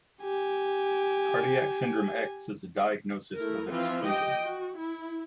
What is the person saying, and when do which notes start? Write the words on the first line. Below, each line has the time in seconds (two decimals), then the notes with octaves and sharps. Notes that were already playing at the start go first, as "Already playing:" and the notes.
Cardiac syndrome X is a diagnosis of exclusion.
0.22 G4 G#5
3.36 A3 E4 A#4
3.69 E3 F3 C4 F4 E5
4.05 G4 D#5 G5
4.42 F#4
4.77 E4